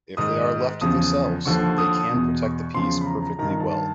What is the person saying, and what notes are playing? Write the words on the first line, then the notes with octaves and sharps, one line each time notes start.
If they are left to themselves, they can protect the peace perfectly well.
G#2 D#3 D#6
E2 C#3 F3 D#6
D#2 D3 F3 C#6
D#6
E2 B2
C#6
E2 C#3 F3 C6
B5
A#5
A#5
G2 D#3 A#5
A#5
A5
A5